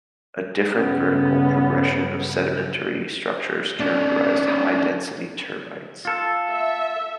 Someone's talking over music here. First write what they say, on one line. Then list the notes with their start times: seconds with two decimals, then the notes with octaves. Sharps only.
A different vertical progression of sedimentary structures characterize high-density turbidites.
0.75 G2 C#3 B3 C#4
3.80 C#4 D4
6.05 F4 A4
6.50 E5